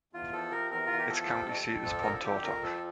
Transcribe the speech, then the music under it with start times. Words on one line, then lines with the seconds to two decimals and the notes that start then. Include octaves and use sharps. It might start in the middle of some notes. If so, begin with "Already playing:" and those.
Its county seat is Pontotoc.
0.13 E2 F4
0.33 F3 A4
0.51 C3 A#4
0.71 E2 A#4
0.86 E2 F4
0.98 G4
1.09 F3 A4
1.28 C3
1.47 F2
1.66 F2
1.85 F3
2.02 D3 A#4
2.13 A4
2.24 F2 G4
2.43 F2 A#4
2.63 F3 A4